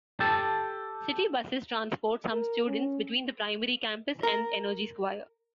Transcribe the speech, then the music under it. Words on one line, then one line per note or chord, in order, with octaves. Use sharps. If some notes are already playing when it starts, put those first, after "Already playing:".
City buses transport some students between the primary campus and Energy Square.
G4 A4 G5 A5
A#4
C#4
A#4